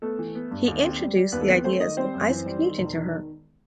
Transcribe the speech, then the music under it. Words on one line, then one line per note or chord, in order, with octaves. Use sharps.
He introduced the ideas of Isaac Newton to her.
A3 B3 A4
E3
B3
G2
D#2
C4
G3
G3
D#2 B3 B4
A4
B3 C4 B4
A3 C4 C5
D#3 D#4 D#5
G3 C4 C5
F#2
E3
G3
D#3
E1
D#3